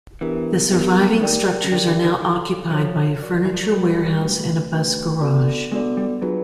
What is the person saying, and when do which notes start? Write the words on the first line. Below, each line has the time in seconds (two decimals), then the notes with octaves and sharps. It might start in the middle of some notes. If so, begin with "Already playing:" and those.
The surviving structures are now occupied by a furniture warehouse and a bus garage.
0.21 E3 B3 D4 G4 A#4
0.71 B3 D4 G4 A#4
1.21 D#3 G4 A#4 D5 G5
1.64 C#3
1.72 D3 G4 A#4 D5 G5
1.88 D3
2.04 D#3
2.22 E3 F#4 A4 C#5 F5
2.71 F3 F#4 A4 C#5 F5
3.22 F#4 A#4 D5
3.45 E3
3.54 F3
3.63 F#3
3.71 G3 F#4 A#4 D5
4.21 A3 D4 F#4 B4
4.71 A3 D4 F#4 B4
5.21 B3 D4 F#4 A4 D5
5.72 G#3 B3 D4 F#4 A4 D5
5.97 G3
6.22 F#3 D4 F4 G#4 B4